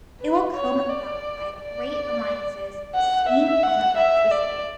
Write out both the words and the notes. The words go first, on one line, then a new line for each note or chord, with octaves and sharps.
It will come about by the great alliances of steam and electricity.
B4
C#5
D5
D5
F#5
E5
F#5
E5
D5